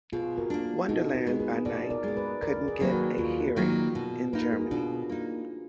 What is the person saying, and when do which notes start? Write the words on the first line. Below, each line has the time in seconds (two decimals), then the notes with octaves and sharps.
Wonderland by Night couldn't get a hearing in Germany.
0.13 B2 F4 G#4
0.38 F#4 A#4
0.50 A#3 D4
0.89 B2 D#4 F#4
1.14 F#4 A#4
1.27 G#3 B3
1.40 G#4 B4
1.65 B2 A#4 D5
1.90 A#4 D5
2.03 G#3 B3
2.16 G#4 B4
2.42 D#2 A#4 D5
2.68 G#4 B4
2.80 D#3 F#3 A#3 D#4 B4
2.92 F#4 A#4
3.18 D#2 F4 G#4
3.56 D#3 F#3 A#3 D#4
3.95 B2
4.33 A#3 D#4 B4
4.42 A#4
4.52 G#4
4.61 F#4
4.71 B2 D4 F4
5.09 A#3 D#4